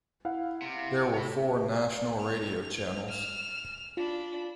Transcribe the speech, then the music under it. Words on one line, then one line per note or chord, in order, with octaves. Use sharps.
There were four national radio channels.
E4 F5 F#5
C3
C#5 B5
F7
F6 E7
D4 F4 B5